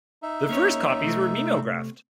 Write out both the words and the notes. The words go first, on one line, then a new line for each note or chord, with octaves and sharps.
The first copies were mimeographed.
D#4 E5
A#3 C#4 C#5
C3 A3 C4